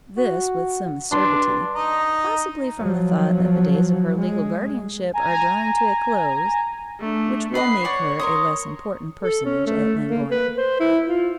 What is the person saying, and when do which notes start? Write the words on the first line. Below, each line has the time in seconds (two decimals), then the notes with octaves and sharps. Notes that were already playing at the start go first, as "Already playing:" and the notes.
This with some acerbity--possibly from the thought that the days of her legal guardianship are drawing to a close, which will make her a less important personage at Llangorren.
0.17 F#4
1.12 G2 D4 C6
1.75 D#4 D#5 A#5
2.78 F3 F#3
4.18 G#3
5.14 G#5 A#5
7.00 A3 D4
7.55 B4 D#5 F#5 B5 C7
7.85 C#5 D5 F#5 C#6
8.20 A#4 C6 D#6
9.23 A4
9.45 C#4
9.67 A3
10.08 A#3
10.31 B4
10.57 C5
10.80 E4
11.07 F4